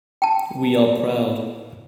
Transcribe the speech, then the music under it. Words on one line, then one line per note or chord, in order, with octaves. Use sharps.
We are proud.
G5 A5